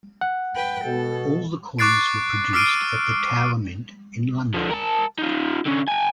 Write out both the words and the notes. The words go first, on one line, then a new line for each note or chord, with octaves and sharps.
All the coins were produced at the Tower Mint in London.
F#5
B4 G5
B2 A4
C#6 D6 F#6 A6 C7 D7
D6 E6 F6 C7 D7 D#7
D3 F3
A#4 A5
D#4 F4
D3 C#4
G5 G#5